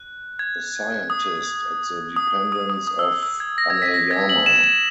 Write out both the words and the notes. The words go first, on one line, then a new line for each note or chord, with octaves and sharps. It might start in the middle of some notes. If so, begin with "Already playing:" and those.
A scientist at the dependence of Aneyama.
Already playing: F#6
G#6
D#6
D#6
D#6
D#6
D#6
E6
D#6
E6
G#6
A#6
G#6
B6
A#6
G#6
F#7
E7